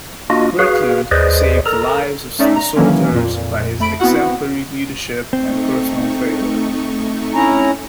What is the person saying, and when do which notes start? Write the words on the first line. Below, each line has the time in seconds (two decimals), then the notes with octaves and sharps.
Gretlund saved the lives of the soldiers by his exemplary leadership and personal valour.
0.30 A#3 D4 F4 F#4 D#5
0.59 F#4 G#4 B4 F5
1.11 D#2 G#4 B4 C5 D5 D#5
1.66 A4 A#4 A#5
2.39 A3 C#4 D#4 D5 E5
2.56 A#5
2.76 D#3 E3 F#3 A#3 C#4
3.11 F2 A#2
3.79 F2 A3 B5 D7
4.00 B3 C4 E4 F#4 F#5
5.33 A3 C4 D#4 C#6
7.34 C#4 E4 A#5